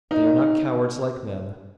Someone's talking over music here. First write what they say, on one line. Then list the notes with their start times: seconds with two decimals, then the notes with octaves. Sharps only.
They are not cowards, like men.
0.11 D#4